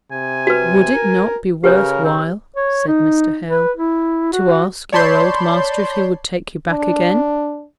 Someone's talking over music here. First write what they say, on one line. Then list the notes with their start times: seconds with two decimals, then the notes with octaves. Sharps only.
'Would it not be worth while,' said Mr. Hale, 'to ask your old master if he would take you back again?
0.11 C3 G#5
0.47 F#4 B4
0.93 A#4
1.64 C#3 G4 A#4 B4 C#5
2.04 C4
2.56 C#5
2.87 D#4
3.48 B4
3.76 E4
4.32 F#4
4.92 C#5 D5 A5 B5 C6 G6
6.69 D4